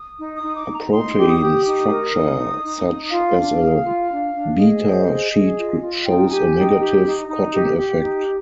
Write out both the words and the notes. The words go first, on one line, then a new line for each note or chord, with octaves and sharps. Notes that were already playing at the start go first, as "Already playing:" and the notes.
A protein structure such as a beta sheet shows a negative Cotton effect.
Already playing: D#6
D#4
D#6
D#4
D6
D#4
A#5
D#4 C6
G4
D#6
G4
D#4 D#6
A#4
D#4
D#4
D#4
D#4
F4 F5
D4
G#4
F4
D4
D4
G#4 D#5
C5
G#4
G#4
F4
F4
D#4 G5
G4 G#5
D#4 G5
G4
D#4
D#4
G4
G4
D#4